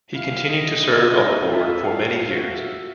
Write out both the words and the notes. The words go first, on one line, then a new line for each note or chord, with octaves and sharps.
He continued to serve on the board for many years.
E4 F5
D#5
E4
F4
E4
F4
E4
F4
E4 E5
F4
E4
F5
F4
F#4
E5